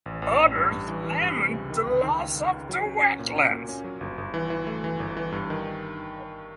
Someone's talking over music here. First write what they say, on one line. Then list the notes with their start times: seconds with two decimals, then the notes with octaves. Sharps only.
Others lament the loss of the wetlands.
0.06 A1
0.22 A1
0.38 A1
0.55 G2
0.71 G2
0.88 E3
1.04 E3
1.21 G2
1.37 C3
1.54 C#2
1.70 D#3
1.87 C#2
2.03 D#3
2.19 C#2
2.36 C#2
2.52 C#2
2.69 F#3
2.86 C#4
3.03 C#4
3.19 A#2
3.35 C#4
3.51 A#3
3.69 C#4
3.84 F#3
4.01 G1
4.18 G1
4.34 E3
4.50 E3
4.67 A3
4.84 E3
5.00 G1
5.17 E3
5.32 G2
5.50 D#3